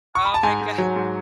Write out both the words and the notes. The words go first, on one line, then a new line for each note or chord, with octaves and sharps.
Oh my god,
C#6
B5
A5
G#2 G#5
G#2
F#3
G#2